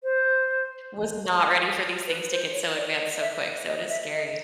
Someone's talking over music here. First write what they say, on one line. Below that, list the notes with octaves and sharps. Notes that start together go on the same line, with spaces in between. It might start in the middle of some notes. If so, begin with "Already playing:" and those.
I was not ready for these things to get so advanced so quick. So it is scary
C5
B4
C5
C#5
D5
D#5
E5
D#5
E5
D#5